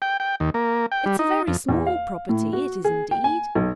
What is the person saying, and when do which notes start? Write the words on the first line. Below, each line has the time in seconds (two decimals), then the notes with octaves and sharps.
It's a very small property, it is indeed.
0.02 G5
0.20 G5
0.40 D#2
0.54 A#3
0.92 G5
1.06 G3
1.19 D#4
1.47 F2
1.69 E2
1.87 F5
2.29 A2
2.53 F#4
2.84 G#4
3.11 G5
3.24 G#5
3.55 B1